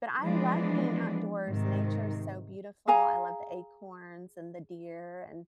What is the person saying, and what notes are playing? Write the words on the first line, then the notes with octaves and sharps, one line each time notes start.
but I love being outdoors, nature is so beautiful. I love the acorns and the deer and
E3 F3 G#3 B3 D4
G#2 C3 D#3
G#4 F5 G#5 A#5